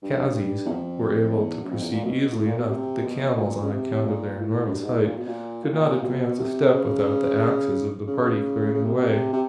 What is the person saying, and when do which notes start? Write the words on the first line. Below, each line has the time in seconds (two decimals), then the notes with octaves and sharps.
The pagazis were able to proceed easily enough; but the camels, on account of their enormous height, could not advance a step without the axes of the party clearing the way.
0.03 G2
0.66 E2
0.69 F2
1.36 E2
1.63 F#2
1.71 F2
1.82 E2
1.93 A#2
2.04 B2
2.32 A2
2.46 A#2
2.58 B2
2.71 C3
3.05 B2
3.38 A#2
3.63 C#3
3.72 C3
4.05 A#2
4.39 A2
4.67 F#2
4.72 G2
4.84 G#2
4.94 A2
5.05 A#2
5.17 B2
5.27 A#2
5.63 A2
5.73 A#2
6.01 C3
6.06 B2
6.28 B2
6.39 C3
6.73 C#3
8.07 C#3
8.74 C#3
8.84 C3
8.94 B2
9.04 C3
9.33 C3